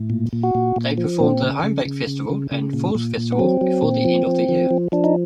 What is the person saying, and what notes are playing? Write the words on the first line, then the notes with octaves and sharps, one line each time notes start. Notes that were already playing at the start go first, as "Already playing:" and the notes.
They performed the Homebake Festival and Falls Festival before the end of the year.
Already playing: A2
A#2
A#2
F#4
A#2
A#2
F3
A#2 C4
C#3
C#3
C#3
C#3
C#3
C#3
A#2
A#2
A#2
B3
F#3 C4
F#3
A#2
F3
F3
F3
F3
F3 D4
D#4